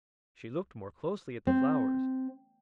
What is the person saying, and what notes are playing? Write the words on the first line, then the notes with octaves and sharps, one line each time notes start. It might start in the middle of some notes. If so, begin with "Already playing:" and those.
She looked more closely at the flowers.
C4